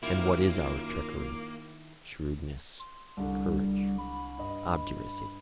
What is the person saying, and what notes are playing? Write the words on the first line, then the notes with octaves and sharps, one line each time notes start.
And what is our trickery, shrewdness, courage, obduracy?
F#2 D#3 A#3 E4 F4
C6
C2 D3 G3
B5
G2 D#5